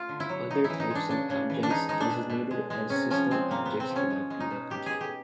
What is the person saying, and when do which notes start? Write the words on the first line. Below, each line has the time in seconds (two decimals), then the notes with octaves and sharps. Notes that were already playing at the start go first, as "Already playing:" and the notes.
Other types of objects, designated as "system" objects cannot be replicated.
Already playing: A3 F4
0.09 D3
0.20 E4
0.29 F#3
0.50 C#3 D#4
0.64 E4
0.70 E3
0.80 D#4
0.90 G#3 D4
1.09 C#3 D4
1.30 C#3
1.50 E3
1.63 D4
1.69 G#3 D#4
1.89 G#3 D#4
2.00 D4
2.10 B2
2.30 B2
2.51 G#3
2.70 G#3
2.90 C3 C#4
3.10 F3 C#4
3.31 G#3 C4
3.51 C3 A#3
3.66 C3 B3
3.80 C4
3.90 F3
3.96 C#4
4.10 G#3
4.30 G#3
4.40 D#4
4.50 B2
4.70 B2 G4
4.86 G#3 G#4
5.01 G4